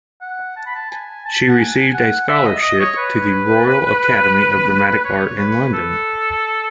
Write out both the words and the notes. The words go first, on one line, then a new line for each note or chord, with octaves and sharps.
She received a scholarship to the Royal Academy of Dramatic Art in London.
F#5
A5
B5
A5
G#5
A5
F#5
G#5
F#5
E5
D#5
D#5
C#5
B4
C#5
B4
A4